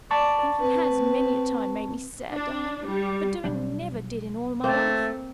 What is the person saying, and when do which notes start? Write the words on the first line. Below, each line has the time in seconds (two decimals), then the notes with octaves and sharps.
Thinking has, many a time, made me sad, darling; but doing never did in all my life.
0.11 D5 A5 C#6
0.59 C4 B4
2.32 D4
2.85 G3
3.44 B1 G3 D4
4.64 A3 A#3 C4